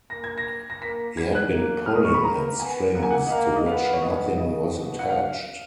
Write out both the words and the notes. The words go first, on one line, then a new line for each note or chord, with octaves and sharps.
He had been pulling at strings to which nothing was attached.
A#3 A#6
G#6
A#6
A#6
A#3 B6
B3 G#6
F#6
A#3
G#3 F6
D#6
C#6
B5
A#3 A#5
B3 G#5
A#3 F#5
G#5
F#5
D#5
A#3 F5
D#5
B3 F5
C#5
B3 D#5
C#3 D#5
B2
F#5
F5